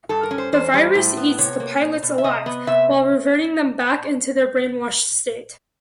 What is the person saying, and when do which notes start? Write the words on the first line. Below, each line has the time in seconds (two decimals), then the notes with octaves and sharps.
The virus eats the Pilots alive while reverting them back into their brainwashed state.
0.09 G2 A4
0.23 A#4
0.31 C#4
0.38 C5
0.53 E2 C5
0.74 G3
0.95 A2
1.17 B3
1.38 C3 C#5
1.60 A#3
1.81 B2
2.03 B2
2.18 E5
2.24 C3 D#5
2.46 B3
2.67 C3 E5